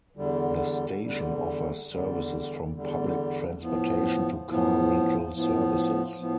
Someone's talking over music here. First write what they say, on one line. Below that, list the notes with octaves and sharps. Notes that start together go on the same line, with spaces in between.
The station offers services from public transportation to car rental services.
E2 D3 G3
E2 D3 G3
E2 D3 G3
E2 D3 G3
A2 F3 B3
A2 F3 B3
A2 F3 B3
A2 F3 B3